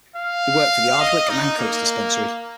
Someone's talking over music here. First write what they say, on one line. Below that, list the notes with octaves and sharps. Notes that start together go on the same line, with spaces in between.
He worked for the Ardwick and Ancoats Dispensary.
F5
D#5
D#4
A#3